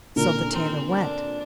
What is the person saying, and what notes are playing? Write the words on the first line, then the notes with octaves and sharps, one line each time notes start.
So the tailor went.
A#2 D3 A#4
C4
D4